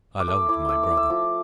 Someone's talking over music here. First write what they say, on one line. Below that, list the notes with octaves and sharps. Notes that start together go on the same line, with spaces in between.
I loved my brother.
D6
A3 E6
E4 D6
A3 E6
D6
E4
E6
F3 D6